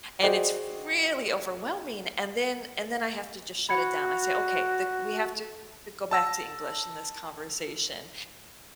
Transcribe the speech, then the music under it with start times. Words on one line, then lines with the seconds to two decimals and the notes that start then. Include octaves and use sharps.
and it's really overwhelming, and then and then I have to, just, shut it down. I say, "Okay, the we have to go back to English in this conversation,"
0.21 F#4 G#4 C5 D5 D#5 G5
3.69 F#4 B5 G#6 C#7
6.11 A5 E6 A#6